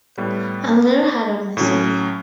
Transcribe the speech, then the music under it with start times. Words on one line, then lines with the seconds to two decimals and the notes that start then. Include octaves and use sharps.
I'm very hard on myself.
0.18 A2 G3 B3
1.57 A2 F#3 C#4